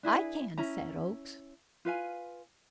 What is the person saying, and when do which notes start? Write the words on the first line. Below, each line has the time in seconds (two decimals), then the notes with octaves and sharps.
"I can," said Oakes.
0.03 D4 E4 G#4 B4
0.58 C#4 E4 A#5
1.85 F4 B4 F5 G#5